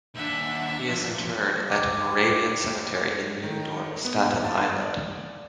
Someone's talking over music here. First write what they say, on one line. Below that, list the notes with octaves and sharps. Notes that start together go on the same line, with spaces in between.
He is interred at Moravian Cemetery in New Dorp, Staten Island.
D#2 D4 E5 F#5
F3
G4
C#5
D#3
B3
A5
D5